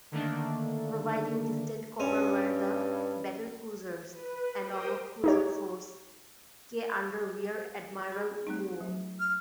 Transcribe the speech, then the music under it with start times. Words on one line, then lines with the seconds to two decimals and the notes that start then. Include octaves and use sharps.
Providing distant cover were the battlecruisers and of Cruiser Force K under Rear-Admiral Moore.
0.12 D3 D#3 A3 A#3 D4
2.00 G2 C#4
4.11 B4
4.62 G4 A#4 C5 G5 D#6
5.24 D#4 G4 C#5
8.12 G#4 B5
8.47 A3 C4 D#4
8.81 F#3
9.20 F6